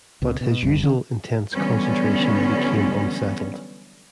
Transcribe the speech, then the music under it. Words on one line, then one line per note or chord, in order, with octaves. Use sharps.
But his usual intense concentration became unsettled.
C#2 B2
B2
F1 C2 G2
D3 C#4
D3 E3 F#3 G3 B3 C#4